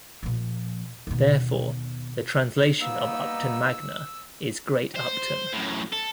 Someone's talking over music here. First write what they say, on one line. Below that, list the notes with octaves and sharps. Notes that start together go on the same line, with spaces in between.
Therefore, the translation of Upton Magna is "Great Upton".
A#2 F3
D#2 B2
G3 A#3 B3 D#4 E6
C5
F#2 A2
A4